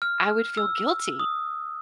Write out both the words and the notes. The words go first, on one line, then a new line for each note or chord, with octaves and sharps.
I would feel guilty
F6
E6
D#6